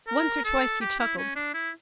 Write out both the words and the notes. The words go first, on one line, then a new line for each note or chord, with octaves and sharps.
Once or twice he chuckled.
A#4
A4
G4
E4
C#4
D4
E4